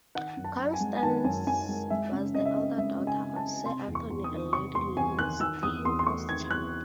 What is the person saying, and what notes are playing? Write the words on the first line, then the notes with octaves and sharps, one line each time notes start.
Constance was the elder daughter of Sir Anthony and Lady Louise de Rothschild.
D#3 F#5
F#2
A5
F#2
G#5
G#3
G#5
D#3 A5
F#2 G#5
F#2 G#5
G#3
G#3 E5
C#3
C#3 D#5
E5
C4 D#5
G#3 E5
C#3
G#5
C#3
A5
C4
C3 C6
E2
C#6
E2
D#6
D#3
C3 C#6
E2 C6
E2 G#5
D#3 F#6
D#3 E6
E2 D#6
E2 C6
C6
A3 C#6
D#3 G#6
E2 F#6